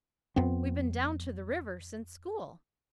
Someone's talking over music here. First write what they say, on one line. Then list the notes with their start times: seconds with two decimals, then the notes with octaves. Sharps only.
"We've been down to the river since school."
0.36 F2 B3 C4